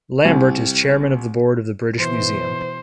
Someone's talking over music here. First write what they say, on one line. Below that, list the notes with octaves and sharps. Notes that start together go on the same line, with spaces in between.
Lambert is Chairman of the board of the British Museum.
C2
B2 E3 C5